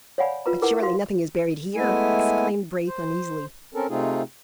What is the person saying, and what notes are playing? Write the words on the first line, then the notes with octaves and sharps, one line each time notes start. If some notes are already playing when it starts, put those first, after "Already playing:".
"But surely nothing is buried here?" exclaimed Braith uneasily.
C#5 D5 F5 F#5 G#5 B5
F4 B4 A#5
E4 G#4 A#4 B4 F#5 A#5
F#4 F5 C6
G#3 A3 B3 E4 G#5
C5
C4 C#4 A4 A#4
C3 A3 C4 D#4 F4 G#4